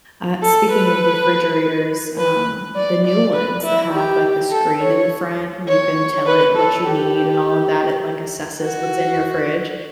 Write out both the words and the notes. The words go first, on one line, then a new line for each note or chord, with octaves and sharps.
uh, speaking of refrigerators, um, the new ones that have, like, the screen in the front, and you can tell it what you need, and all of that, it like assesses what's in your fridge,
A4
B4
B4
D5
D5
B4
E4
G4
A4
C#5
C#5
B4
A4
G4
F#4